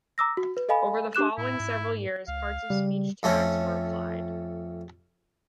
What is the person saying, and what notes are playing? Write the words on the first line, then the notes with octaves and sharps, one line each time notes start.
Over the following several years part-of-speech tags were applied.
A#5 D6 E6 A#6
F#4
B4
A4 D#5 F5 G#5 B5
D4 G4 D6 F#6 E7
A2 E4
G#2
C#2 F5
C#3 G3
F2 A3 C#4